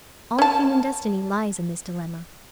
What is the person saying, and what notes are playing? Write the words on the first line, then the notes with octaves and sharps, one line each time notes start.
All human destiny lies in this dilemma.
C#4 A5